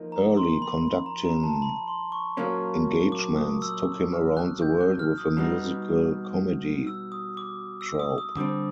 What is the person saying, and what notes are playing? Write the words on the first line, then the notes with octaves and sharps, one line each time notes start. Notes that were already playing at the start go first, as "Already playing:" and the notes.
Early conducting engagements took him around the world with a musical comedy troupe.
Already playing: F3 A#3 D#4
A#5
C6
B5
B5
A#5
A#5
A5
B5
C6
C#6
A#2 F#3 A#3 C#4
D6
D#6
E6
F6
F#6
G6
F#6
F6
D#6
B2 G3 B3 D#4
E6
D#6
D6
E6
D#6
D#6
D3 G3 C4 D6